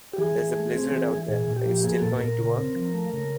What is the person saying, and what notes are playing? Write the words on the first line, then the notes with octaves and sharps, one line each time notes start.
There's a blizzard out there, are you still going to work?
G4
E3 G#4
E3
A3
C4
E3
E3
A#2 G#4
A#2
G4
F3
A#3 G#4
A#2 A4
A4
A#2 A#4
C#3
C4
F3
A3
C#3